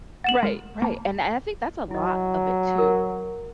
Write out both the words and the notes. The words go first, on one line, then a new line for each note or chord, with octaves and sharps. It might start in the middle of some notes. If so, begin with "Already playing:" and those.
Right. Right. And I I think that's a lot of it too
F#5 A6 E7 F#7
G#3 A#4
A#3 A5
F#3 E4 D#5
A#4